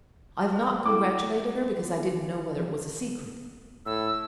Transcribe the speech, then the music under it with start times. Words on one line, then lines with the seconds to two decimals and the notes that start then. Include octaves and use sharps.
I have not congratulated her, because I didn't know whether it was a secret.
0.52 G3 G#4
0.86 E4 A4 G5 D6
3.86 A2 E6